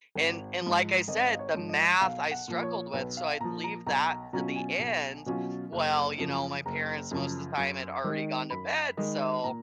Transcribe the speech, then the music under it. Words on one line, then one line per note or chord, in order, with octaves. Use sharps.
and and, like I said, the math I struggled with, so, I'd leave that to the end. Well, you know, my parents most of the time had already gone to bed, so
G#1
F3
G#2
G#1 D#5
F5
D#5
C#5
G#2 F3
D#5
B1 F5
F#5
A#2 F3
C#5
B1 B4
F5
A#2 F3 A#5
A#5
B1 A#5
A#5
B2 F#3 C#4 F4 A#5
G#5
B1
B2 F#3 C#4 F4
F#1
F#2 C#3 F3
F#1 A#5
F#2 C#3 F3
F#2
D#3 G#3 D#4
F#2 B5
D#3 G#3 D#4
A#2 A#5